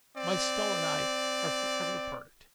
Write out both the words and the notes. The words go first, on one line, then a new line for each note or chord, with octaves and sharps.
My stall and I are for ever parted.
C4 D5